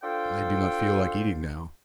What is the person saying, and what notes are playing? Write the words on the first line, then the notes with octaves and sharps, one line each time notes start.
I do not feel like eating now.
D4 F4 A4 C5 G5